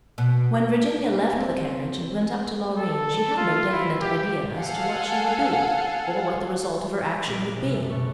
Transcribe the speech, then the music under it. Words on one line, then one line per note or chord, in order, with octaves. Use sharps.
When Virginia left the carriage and went up to Loreen she had no definite idea as to what she would do or what the result of her action would be.
B2
C4
A4
F4
E4
G4
A4 F5 F#5 G#5
A#1 C4 F4 A#4 D6
F#1 C3
A3
B2 C#6